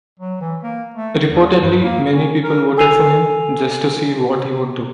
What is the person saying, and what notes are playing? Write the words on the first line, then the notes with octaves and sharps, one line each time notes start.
Reportedly many people voted for him just to see what he would do.
F#3
E3
A#3
A3
E2
G2
A#3
C#4
A#4
A4 G#5 E6 C7 D#7 F7